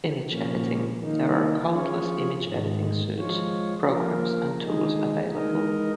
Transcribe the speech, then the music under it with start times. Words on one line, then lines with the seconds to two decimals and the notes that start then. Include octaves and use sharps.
Image Editing: There are countless image editing suites, programs and tools available.
0.26 A#2 F3 A#3 C#4
0.98 D#3 A#3 D#4
1.71 F3 C#4 F4 G#4 C#5
2.43 G#2 D#3 G#3
3.16 F3 G#3 F4 C#5
3.89 F3 A#3 F4 A#4
4.61 D#3 G#3 D#4 G#4
5.34 G#3 D#4 A#4 D#5